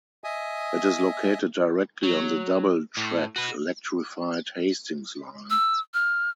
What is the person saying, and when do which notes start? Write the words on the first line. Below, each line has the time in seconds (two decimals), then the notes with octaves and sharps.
It is located directly on the double-tracked electrified Hastings Line.
0.24 D#5 E5 G#5 D#6
2.03 F#3
2.97 A2
3.36 F#4 B4
5.50 E6
5.94 F6